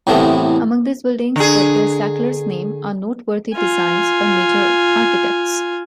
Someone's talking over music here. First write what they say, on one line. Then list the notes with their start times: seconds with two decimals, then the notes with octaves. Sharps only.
Among these buildings that bear Sackler's name are noteworthy designs by major architects.
0.07 C2 A2 C3 E3 A3 B3
1.36 D3 G#4
3.56 F4 G#5